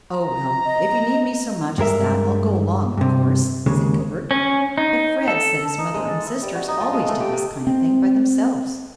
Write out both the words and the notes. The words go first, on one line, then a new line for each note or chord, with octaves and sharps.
"Oh, well, if you need me so much as that I'll go along, of course," said Gilbert, "but Fred said his mother and sisters always did this kind of thing by themselves."
A#5
D#5
G2 G#3 A#4 E5
G2 C3
D#2 C#3 G#3
C#4
D#4
A4
D#4
G#3
A4
E4
G3
F#4
D#4
F3
G#3
A3
G4
C3
C4